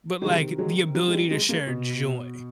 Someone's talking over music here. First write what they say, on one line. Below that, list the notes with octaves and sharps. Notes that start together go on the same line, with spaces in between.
but like, the ability to share joy.
C3 D#3 F#3 G#3
F#3 G#3
F#3
G#3
G3
F#3 G#3
G#3 A#3
B2